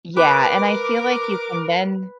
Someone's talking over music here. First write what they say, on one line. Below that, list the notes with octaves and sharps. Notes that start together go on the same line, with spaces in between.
Yeah, and I feel like you can then
A#4 B4 D6